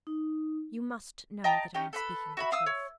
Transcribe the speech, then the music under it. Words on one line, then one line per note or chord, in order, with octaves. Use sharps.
You must know that I am speaking the truth.
D#4
D#5 G5 A5 A#5
C#4 D#4 G4
A4 B4 B5
F#4 E5 B5
F5 D#6 E6
C#5